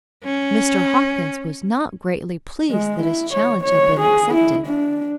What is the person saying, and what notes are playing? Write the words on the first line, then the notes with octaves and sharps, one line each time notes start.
Mr. Hopkins was not greatly pleased that his challenge had been accepted.
C#4
G#3
E4
C#5
C#5
G#4
E4
D4